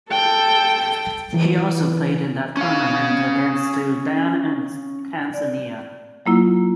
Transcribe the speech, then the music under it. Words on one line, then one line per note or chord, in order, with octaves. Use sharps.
He also played in that tournament against Sudan and Tanzania.
A4 G5
E3
C#4 F5
D5
F#3 A#3 E4 F4